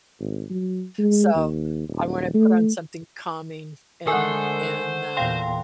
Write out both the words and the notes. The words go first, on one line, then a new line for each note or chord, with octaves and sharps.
So, I wanna put on something calming and and, uh
G#1
F#3
G#3
D#2
D#1
A3
D3 G#3 A3 A#4 C5 F#5 G#5
E2 A#2 F5 G5 C6